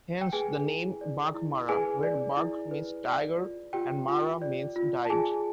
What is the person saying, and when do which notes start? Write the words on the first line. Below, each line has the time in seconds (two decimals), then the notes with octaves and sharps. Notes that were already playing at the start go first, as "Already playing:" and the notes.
Hence, the name Baghmara, where, "bagh" means "tiger" and "mara" means "died".
0.21 G5
0.32 G#4 B4 G#5
0.67 E4
1.01 D5
1.34 E4
1.69 G#4 B4 G#5
2.03 D5
2.37 E4
2.71 B4
3.05 D5
3.39 F4
3.73 F4 G4 G5
4.08 F4
4.42 D5
4.76 F4
5.05 A5
5.10 F4 G#4 G#5